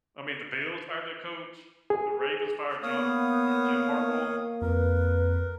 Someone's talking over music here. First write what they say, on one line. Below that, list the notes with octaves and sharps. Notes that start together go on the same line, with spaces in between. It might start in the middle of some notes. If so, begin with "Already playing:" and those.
I mean, the Bills fired their coach, the Ravens fired John or Jim Harbaugh.
G#4
A#3 B3 C#5 F5 D#6
F2 A#4 B4